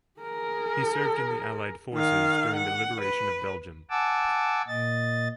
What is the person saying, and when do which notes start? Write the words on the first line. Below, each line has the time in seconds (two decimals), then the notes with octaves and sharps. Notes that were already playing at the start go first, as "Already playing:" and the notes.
He served in the Allied forces during the liberation of Belgium.
0.20 G#4 A#4
1.94 D#3 F5
2.57 F#5
3.01 B4
3.90 F#5 G#5 A5 D6 E6
4.68 A#2 D#5 A6